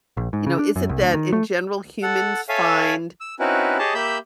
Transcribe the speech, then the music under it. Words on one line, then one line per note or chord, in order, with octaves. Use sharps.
You know, is it that in general humans find
A#1
G#2
C#3
D4
F#2
C2
D2
D#3
A3
A4 F#5
A4 C#5 E5 F5 G#5
E6
C4 C#4 D#4 E4 F#4 B4
G4 G#4 C#5 D#5 A5
A#3 G4 E5 B5 E6 G6